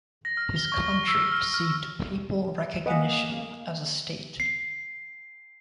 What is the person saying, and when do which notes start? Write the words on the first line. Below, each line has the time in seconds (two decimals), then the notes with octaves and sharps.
His country received papal recognition as a state.
0.25 A#6
0.37 F6
0.56 G7
0.72 C#6
0.94 C#6
1.08 E6
1.32 F6
1.54 F6
2.86 A#3 B4 D#5 F5 F#5 G#5 B6
4.40 C7